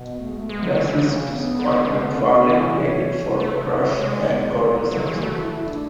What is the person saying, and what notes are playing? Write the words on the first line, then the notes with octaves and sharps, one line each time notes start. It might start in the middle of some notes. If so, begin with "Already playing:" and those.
Bassist Scott MacFarlane played for Crush and Gordie Sampson.
Already playing: B2
B3
A3
G#3
A3
G#3 B3
F#3
A3
E3 G#3
D3 A3
C#3 G#3
A3
D4
B3
D3
C#3
D3 G#3
A3
C#4
A3
D4
E3 E4
E4
D5
C#5
A3 B4
A4
B4
D5
C#5
G#3 C#5
D5
C#5
D5
B4
C#5
B4
F#3 A4
E3 G#4
A3 F#4
E4
E4
D4